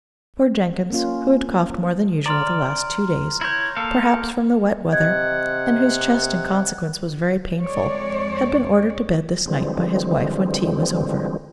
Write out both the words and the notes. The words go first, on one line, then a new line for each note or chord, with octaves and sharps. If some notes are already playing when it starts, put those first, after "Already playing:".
Poor Jenkins, who had coughed more than usual the last two days, perhaps from the wet weather, and whose chest in consequence was very painful, had been ordered to bed this night by his wife when tea was over.
A#3 C#4 F4
D5 A#5 C6 F6
E4 C#5 G6 A#6
A#3 A4 F5
C3 D#5 F#5 G#6
F2 G#3 C#5 D5
D3 E3 F3 G3 G#3 C4